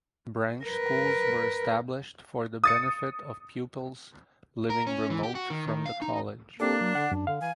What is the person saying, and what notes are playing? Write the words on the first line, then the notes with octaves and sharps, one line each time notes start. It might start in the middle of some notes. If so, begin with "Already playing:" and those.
Branch schools were established for the benefit of pupils living remote from the college.
A#4 B4
D#6 A6 C#7
A#4
C#4
E3
G4
F#4
D#3
D#3
F5
D#4
A#3 C4 D4 G4 A4
F#3
D3 F#5
F#2 D4
D3 F5
E3 G#5